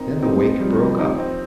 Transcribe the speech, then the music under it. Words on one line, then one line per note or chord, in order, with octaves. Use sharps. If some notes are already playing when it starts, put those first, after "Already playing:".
Then the wake broke up.
Already playing: C4 D#4 A#4
C4 D#4
F3 G3
D#4
D#4 G4
C4